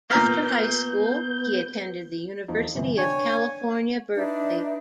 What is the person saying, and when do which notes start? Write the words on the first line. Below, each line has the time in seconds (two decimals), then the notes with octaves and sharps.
After high school, he attended the University of California, Berkeley.
0.11 A#2 B3 A#5 F6 G6
2.48 E2 F3 D#4
2.75 G1 C3 E3
2.98 D4 C#5 G5 G#5
4.14 D4 D#4 B4 E5